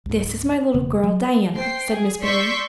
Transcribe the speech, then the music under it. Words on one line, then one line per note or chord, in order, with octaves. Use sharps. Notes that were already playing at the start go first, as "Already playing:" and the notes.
"This is my little girl Diana," said Mrs. Barry.
C#2 G#2
E1 C#3 A#3
F#3
C5 G5 C7
G#4
D5 C6 C#6 E6 G6 B6